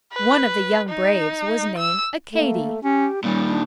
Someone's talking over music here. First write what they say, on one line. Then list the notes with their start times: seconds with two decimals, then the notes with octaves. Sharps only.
One of the young braves was named Accadee.
0.13 B4
0.90 D#4
1.78 E6
2.31 A3 A#3
2.83 C#4 G4
3.24 A#2 D#3 G3 C#4
3.48 D4